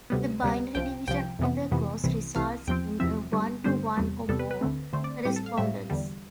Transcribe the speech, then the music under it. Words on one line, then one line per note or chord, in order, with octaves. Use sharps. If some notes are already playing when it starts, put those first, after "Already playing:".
The binary division of the clause results in a one-to-one-or-more correspondence.
D2 C3 G3 B3
D2 C3 G3 B3
C2 C3 F3 G5
C2 C3 F3 G5
F2 C3 E3 B3
F2 C3 E3 B3
C2 C3 E3
C2 C3 E3 F5
E2 C3 F3 C4 G5
E2 C3 F3 C4 E5
G2 D3 G3 B3
G2 D3 G3 B3 C5
E2 C3 G3 B3
E2 C3 G3 B3 A4
B4
B4
D2 D3 A3 C4
D2 D3 A3 C4 C5
D5
A2 G3 C4 G4
A4
F5
A2 G3 C4 E5
E2 D3 G3